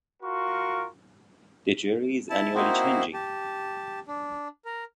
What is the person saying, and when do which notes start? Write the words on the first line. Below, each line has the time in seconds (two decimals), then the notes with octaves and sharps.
The jury is annually changing.
0.23 F4 F#4 A#4 F5 C6 C#6
2.30 E4 A5
2.55 A#3 C4 D#4 E4 F#4 C5
3.14 G4 A5
4.07 D4
4.65 A#4